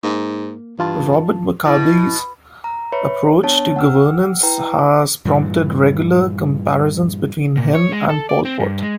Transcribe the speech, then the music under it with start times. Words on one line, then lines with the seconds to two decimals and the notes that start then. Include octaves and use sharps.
Robert Mugabe's approach to governance has prompted regular comparisons between him and Pol Pot.
0.04 G#2 A#3
0.79 G2 E3 F4 A5
1.65 B2 E4
2.64 A#5
2.92 B4 C#5 E5 B5 C#7
3.43 B3 D4 C#5 A5
3.76 F#5 G5 E6 F6
4.43 E4 B4 G5 A#5
5.25 G2 A#2 E3
7.57 A#2
7.75 C#5
7.92 G#3
8.09 A4
8.29 D5
8.45 C4
8.60 G2
8.82 G#3